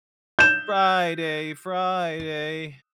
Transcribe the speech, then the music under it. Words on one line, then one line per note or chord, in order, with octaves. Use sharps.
Friday. Friday.
G6 E7